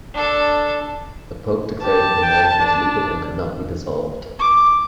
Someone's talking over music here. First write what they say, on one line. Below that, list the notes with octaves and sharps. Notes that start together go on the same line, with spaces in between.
The pope declared that the marriage was legal and could not be dissolved.
D4 A4
G4 A5
G5
D4
D6